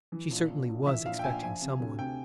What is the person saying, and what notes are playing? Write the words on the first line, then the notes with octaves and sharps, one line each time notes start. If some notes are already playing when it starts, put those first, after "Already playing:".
She certainly was expecting some one.
E3
A#1
A#1
A#1
E3 E5
A#1 F5
G5
A#1 G#5
F3 G#5
C3
D2
C3 G5